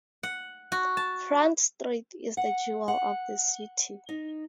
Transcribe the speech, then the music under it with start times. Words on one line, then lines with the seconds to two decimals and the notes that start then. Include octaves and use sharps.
Front Street is the jewel of the city.
0.23 F#5
0.72 F#4
0.97 A5
2.37 F#5
2.88 F#5
4.09 D#4